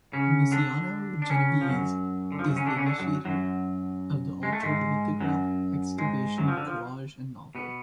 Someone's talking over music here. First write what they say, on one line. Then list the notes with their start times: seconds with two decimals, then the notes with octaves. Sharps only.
Misiano-Genovese is the initiator of the Altered Lithograph, Excavation Collage and Novel.
0.13 C#3 C#4
0.52 D3 D4
1.22 D4
1.30 C#3 C#4
1.61 F3
1.68 F#2 F#3
2.32 D3
2.39 F3
2.47 F#2 F#3
2.56 C#3 C#4
2.66 D3 D4
2.76 C#3 C#4
2.86 D3 D4
2.99 F#2 F#3
3.25 F#2 F#3
4.43 G#3
4.53 A3
4.63 G#2 G#3
5.20 F#2 F#3
5.99 G#2 G#3
6.38 F#2 F#3
6.48 F3
6.57 D3
6.67 F3
7.55 B2 B3